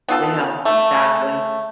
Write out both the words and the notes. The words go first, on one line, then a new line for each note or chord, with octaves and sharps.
to help Exactly.
B3 F4 A4
A3